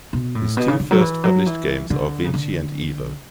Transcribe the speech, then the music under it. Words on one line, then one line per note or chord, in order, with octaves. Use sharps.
His two first published games are "Vinci" and "Evo".
B2
A2
B2
C#3
D3
F#3
E3
F#3
E3
D3
C#3
D3